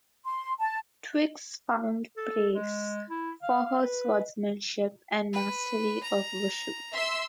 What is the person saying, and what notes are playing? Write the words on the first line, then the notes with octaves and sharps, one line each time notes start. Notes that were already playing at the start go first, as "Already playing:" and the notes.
Twigs found praise for her swordsmanship and mastery of Wushu.
C6
A5
A4
G#3
E4
F5
F5
B4
B4
A#5
E5 C6 E6